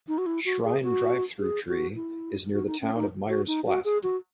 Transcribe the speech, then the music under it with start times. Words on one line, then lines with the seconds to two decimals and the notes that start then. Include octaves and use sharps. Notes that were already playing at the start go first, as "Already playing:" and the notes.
Shrine Drive-Thru Tree is near the town of Myers Flat.
0.08 D#4
0.18 F#4
0.26 E4
0.45 F#4
0.64 G#4
0.83 F#4
1.40 G#4
1.68 F#4
1.96 E4
2.53 F#4
2.67 D#4
2.81 C#4
2.95 D#4
3.29 F#4
3.48 D#4
3.66 F#4
3.85 G#4
4.03 F#4